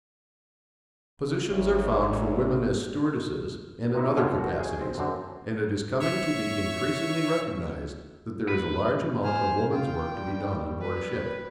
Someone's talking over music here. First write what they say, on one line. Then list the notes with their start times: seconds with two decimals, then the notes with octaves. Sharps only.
Positions are found for women as stewardesses and in other capacities, and it is coming to be increasingly recognised that there is a large amount of women's work to be done on board a ship.
1.50 G#1 D2 C#5
3.95 C3 D#4 E4
4.17 B2 F4 G4 C#5 A5
4.38 F#4
4.60 G#4
4.81 C4
4.98 F#2 D3 C4
6.00 C#5 E5 C#6
8.48 B4
9.23 C5 G#5 F6
9.72 F4 G5
10.15 G3
10.81 B4